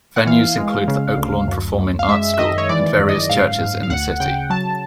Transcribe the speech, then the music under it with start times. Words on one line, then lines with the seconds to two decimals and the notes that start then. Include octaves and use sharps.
Venues include the Oaklawn Performing Arts School and various churches in the city.
0.16 F#5
0.27 E3 F5
0.57 G#3
0.88 C#3
1.17 D2
1.48 F#2
1.78 F#2
1.99 F5
2.08 G#3 E5
2.34 E5
2.38 D#3 D#5
2.58 C#5
2.69 E3 D5
2.99 F#2
3.09 D#5
3.30 G#2 F5
3.60 G#2
3.83 F5
3.90 D2 F#5
4.20 C#3 G5
4.50 F#3 A5